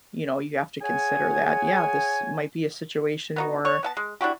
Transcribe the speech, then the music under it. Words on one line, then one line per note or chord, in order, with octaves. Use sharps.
you know, you have to consider that, yeah, this might be a situation where,
G#4 C#5 F#5 G#5
B3 D#4 F#4
C#5
B3 E5 A5
G#3
D4 E4 F#4 G4